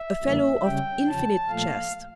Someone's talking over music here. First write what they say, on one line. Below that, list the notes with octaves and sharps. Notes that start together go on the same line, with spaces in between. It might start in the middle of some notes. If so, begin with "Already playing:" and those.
A fellow of infinite chest.
Already playing: E5
E2 C#3 E3 G3 A#3
C#3 G3 C#4 G5
E2 C#3 F3 C#4 A5
A#2 F3 A3 F5